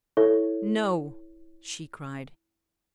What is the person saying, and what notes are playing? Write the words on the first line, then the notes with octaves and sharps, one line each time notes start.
"No!" she cried.
E4 A4 C#5